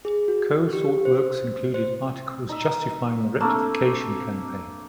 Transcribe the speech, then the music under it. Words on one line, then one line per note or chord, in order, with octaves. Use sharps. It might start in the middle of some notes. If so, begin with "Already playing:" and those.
Coe sought works included articles justifying the Rectification campaign.
G#4
F#4
G4
C5
C5
D#4 E5
A3 A#3 C4 D4 D6 E6